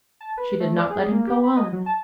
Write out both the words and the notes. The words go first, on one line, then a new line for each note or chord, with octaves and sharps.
She did not let him go on.
A5
B4
A3
D5
G#4
A#3
G4
B5
D#5
F#3
A5